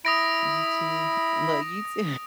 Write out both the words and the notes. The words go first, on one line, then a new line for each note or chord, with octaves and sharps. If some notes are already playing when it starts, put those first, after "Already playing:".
You too? Well, you too.
E4 B5 D#6 A#6 D7